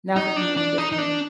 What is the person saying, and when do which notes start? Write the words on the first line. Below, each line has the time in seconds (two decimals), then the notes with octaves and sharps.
not for people who just wanna eat.
0.16 D#4
0.36 D4
0.57 D4
0.78 D#4
0.92 D#4
0.98 D4